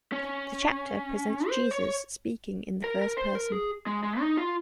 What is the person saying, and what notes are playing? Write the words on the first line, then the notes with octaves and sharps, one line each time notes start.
The chapter presents Jesus speaking in the first person.
C#4
C5
C#5
A#4
A#4
C5
A#4
G#4
G#3
G#3
D#4
F4